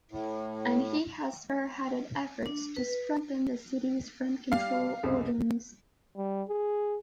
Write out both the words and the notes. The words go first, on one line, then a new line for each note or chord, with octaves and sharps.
And he has spearheaded efforts to strengthen the city's rent control ordinance.
A2
D4
B4
G3 F5
C#2 F#2 C3
G3
G#4